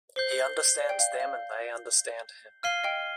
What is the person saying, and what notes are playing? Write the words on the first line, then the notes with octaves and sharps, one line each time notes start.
He understands them and they understand him.
C5 G6 C7 G7
D5
G5
F5
F5
F5 F6 G#6 C7 D#7 G7
D#5 G5